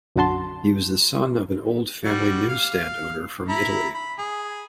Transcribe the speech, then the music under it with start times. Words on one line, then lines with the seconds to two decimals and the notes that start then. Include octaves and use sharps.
He was the son of an old family newsstand owner from Italy.
0.16 B1 F#2 D3 F#4 A5 C6
2.05 G3 F#4
2.48 F5
3.49 E4 A#5 B5
3.94 B5
4.19 G#4